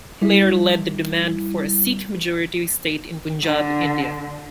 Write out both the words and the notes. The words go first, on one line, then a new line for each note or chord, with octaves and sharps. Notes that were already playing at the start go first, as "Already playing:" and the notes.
He later led their demand for a Sikh-majority state in Punjab, India.
G3 E4
D3